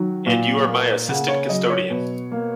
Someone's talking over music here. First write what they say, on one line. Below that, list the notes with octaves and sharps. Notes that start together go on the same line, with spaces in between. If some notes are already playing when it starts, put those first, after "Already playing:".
And you are my assistant-custodian.
Already playing: D#3 F#3
A#2
A#3
C#3 F#5
C#5
F#3 D#5
C#5
B2
A#3